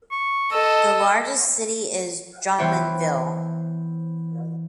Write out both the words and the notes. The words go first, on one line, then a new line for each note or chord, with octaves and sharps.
The largest city is Drummondville.
C#6
A4 D#5 E6
E3 B3 C5 C#5 E5 G5